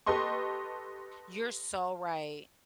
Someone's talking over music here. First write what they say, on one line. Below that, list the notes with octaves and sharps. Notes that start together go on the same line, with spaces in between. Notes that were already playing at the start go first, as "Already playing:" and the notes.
you're so right.
G4 A4 B4 D#5 C6 C#6